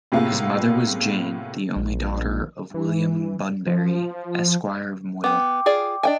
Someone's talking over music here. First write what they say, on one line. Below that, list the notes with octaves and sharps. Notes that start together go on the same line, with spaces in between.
His mother was Jane, the only daughter of William Bunbury, Esquire of Moyle.
A2 C3 A#3 B3 F4 G#4
A#1
E3
F3
B3 G5 D6
F4 G#4 D5
D4 D#5 G5 G#5